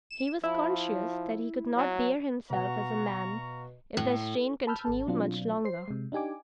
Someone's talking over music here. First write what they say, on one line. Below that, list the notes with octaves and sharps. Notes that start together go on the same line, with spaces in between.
He was conscious that he could not bear himself as a man if the strain continued much longer.
E7
F3 E4
F#3
B2 F5 F#5 A#5 C#6
A2
A5 B5 E6 F6 G6
G#1 A4 A5
B2 F#3 C4 D4 F4
C5 C7
C3 G#3
D4 D#4 G4 G#5 D6